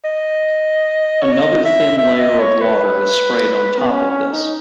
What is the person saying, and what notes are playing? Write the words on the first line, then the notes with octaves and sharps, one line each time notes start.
Another thin layer of water is sprayed on top of this.
D#5
C#5
D#5
E5
E5
D#5
C#5
B4
B3
C#4
C#4
D#4